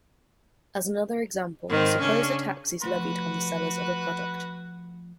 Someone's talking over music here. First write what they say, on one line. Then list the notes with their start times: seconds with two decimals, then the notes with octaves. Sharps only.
As another example, suppose a tax is levied on the sellers of a product.
1.68 G#2 D#3 C4
1.99 C#3 C#4 D4
2.82 F3 A3 F#4 B4 F#5 C6